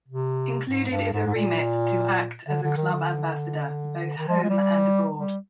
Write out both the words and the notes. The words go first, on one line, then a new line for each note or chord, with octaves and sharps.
Included is a remit to act as a club ambassador, both home and abroad.
C3
G#2
G2
G#2
G#2
A#2
D3
D3
D#3
D3
D#3
F3
G#3
G3
G3